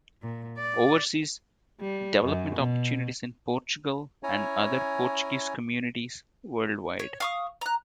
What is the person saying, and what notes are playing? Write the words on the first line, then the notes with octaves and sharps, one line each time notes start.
Overseas, development opportunities in Portugal and other Portuguese communities, worldwide.
A#2
D5
G3
F#2
B2
C#4 E4 C#5 G#5 A#5
C#5
F5 C#6 D#6
A#5 F#6